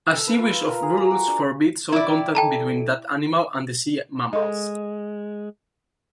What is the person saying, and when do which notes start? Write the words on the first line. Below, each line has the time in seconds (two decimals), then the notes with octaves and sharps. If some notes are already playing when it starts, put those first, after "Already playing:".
A series of rules forbids all contact between that animal and the sea-mammals.
0.15 A4
0.27 B4
0.39 F4
0.51 F5
0.69 A#4
0.83 G#4
0.97 A#5
1.11 F#4
1.27 D4
1.92 E4 D5 E5
2.08 G5
2.35 A4 G5 A5 A#5
4.33 G#3 A4 D#5